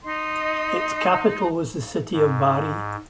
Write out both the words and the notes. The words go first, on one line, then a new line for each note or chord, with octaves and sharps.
Its capital was the city of Bari.
D#4 D#5 C6
G#2